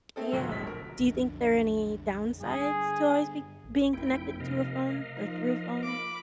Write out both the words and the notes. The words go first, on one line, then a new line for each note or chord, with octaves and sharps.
Yeah. Do you think there are any downsides to always be being connected to a phone or through a phone?
A3 C4 G#4 A4
G1 C#2 A#2 F#3 E6
D1 G1 B2 B6
A#4
B1 F2 D3
G2 D3 G#4
A1
F1 F2 A#3 E4 G5
C3 A#4 D#5 F5
F3 D#4
A#3 B5 D6